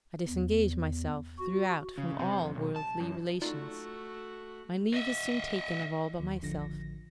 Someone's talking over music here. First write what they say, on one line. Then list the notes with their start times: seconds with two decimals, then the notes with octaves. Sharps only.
I disengage myself throughout from all worldly relations; my leave is soon taken of all but myself.
0.28 E2
1.39 F#4
1.98 C#3
2.19 C3
2.39 F2
2.55 B1
2.76 A5
3.00 F#2
3.42 A3 D#4 F4 F#4 D5
4.94 D#5 E5
6.20 D#2
6.42 A1 D3 F3 A#6